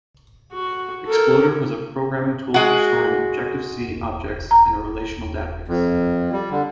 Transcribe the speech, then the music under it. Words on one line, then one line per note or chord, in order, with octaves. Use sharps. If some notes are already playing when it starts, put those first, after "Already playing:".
Exploder was a programming tool for storing Objective-C objects in a Relational database.
F#4
A4 A#4
G#3 F#4
A#5
F2
G3
D3